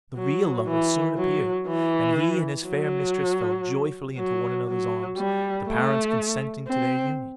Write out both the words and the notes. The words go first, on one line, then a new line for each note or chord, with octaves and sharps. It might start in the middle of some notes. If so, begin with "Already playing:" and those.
The real lover soon appeared, and he and his fair mistress fell joyfully into one another's arms, the parents consenting to their union.
F#3
E3
F#3
E3
F#3
F#3
F#3
G3
A3
C4